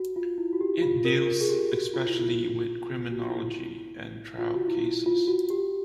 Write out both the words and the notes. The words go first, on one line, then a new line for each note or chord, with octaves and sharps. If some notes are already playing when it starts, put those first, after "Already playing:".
It deals especially with criminology and trial cases.
Already playing: F#4
F4
E4
F#4
G4
F4
A#4
A#4
G#4
G4
F#4
F4
E4
F4
F#4
F4
E4
F4
F#4
E4
F4
F#4
G4